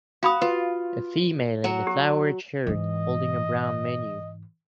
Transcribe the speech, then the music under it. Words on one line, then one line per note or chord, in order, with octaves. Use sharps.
A female in a flowered shirt holding a brown menu.
F#4 F5 B5 D#6
F4 B4
F#3 F#4
G4
G#2 E3 D#5